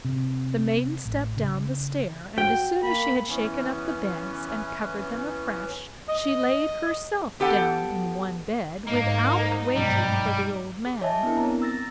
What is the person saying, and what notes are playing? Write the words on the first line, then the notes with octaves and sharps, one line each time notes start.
The Maiden stepped down the stair, and as soon as she had shaken up the beds and covered them afresh, she laid herself down in one bed, without waiting for the Old Man.
C3
A1
C#3
F#4 G5
A#3 B5
E3 B3 C#4
D#5
B3 G4 A4 F#5
G#2 A#3 D#4
G2 B2 F#3 G3
G#4
C#5 D#5 E5 G#5 A5
B3 D4 E4 A#4
C4 A#5
E6 A6 A#6